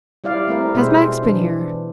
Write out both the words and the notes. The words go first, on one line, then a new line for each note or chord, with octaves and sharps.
"Has Max been here?"
G3 E4 D5 F5
A3 C4 E4 A#4
B2 G#3 C4 C5 E5
E3 D4